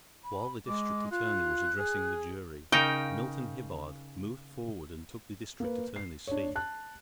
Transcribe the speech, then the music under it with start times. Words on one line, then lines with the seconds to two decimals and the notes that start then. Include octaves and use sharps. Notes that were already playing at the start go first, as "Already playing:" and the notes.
While the District Attorney was addressing the jury, Milton Hibbard moved forward and took the District Attorney's seat.
0.24 B5
0.67 G#3 D6
1.12 F4 F#6
1.79 G#4
2.72 C#3 D#4 A#4 G5
5.60 A#3 B4
5.96 C7
6.27 D4 C#5
6.56 A5 F#6